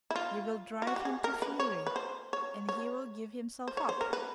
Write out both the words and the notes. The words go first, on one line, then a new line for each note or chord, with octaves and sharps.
You will drive him to fury, and he will give himself up.
E4
F4
F4
F#4
G4
G#4
A#4
B4
C#5
B4
C5
C#5
C#5
C5
C#5
C5
A#4
B4